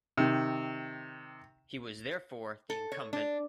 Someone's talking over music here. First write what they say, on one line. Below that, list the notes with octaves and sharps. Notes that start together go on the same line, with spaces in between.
He was therefore the incumbent.
C3 D#3
A4
C#5
D4